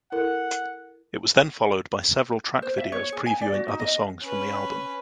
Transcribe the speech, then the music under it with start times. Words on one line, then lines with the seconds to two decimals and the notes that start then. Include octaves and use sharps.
It was then followed by several track videos previewing other songs from the album.
0.12 E4 A4 A#4 F#5
2.62 C5
2.78 E5
2.92 C#5
3.12 G#4
3.26 G#5
3.41 D5
3.54 F#4
3.68 D#4
3.80 D#5
4.23 C#4 B4